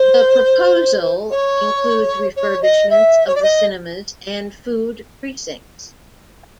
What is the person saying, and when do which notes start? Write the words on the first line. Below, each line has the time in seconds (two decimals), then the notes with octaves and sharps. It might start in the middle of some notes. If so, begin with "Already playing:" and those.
The proposal includes refurbishments of the cinemas and food precincts.
Already playing: C5
1.30 C#5
2.35 C#5
2.62 D#5
2.89 E5
3.26 C#5
3.34 D5
3.42 D#5